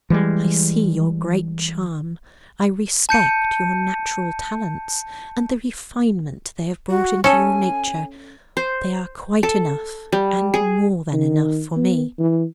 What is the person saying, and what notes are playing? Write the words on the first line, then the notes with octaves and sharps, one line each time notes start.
I see your great charm; I respect your natural talents, and the refinement they have brought into your nature--they are quite enough, and more than enough for me!
E3 G3 G#3
A5 G6 C#7 D#7
F#4
C#4 A4 G#5
C5
A4
G3
G#4
D#3
B3
E3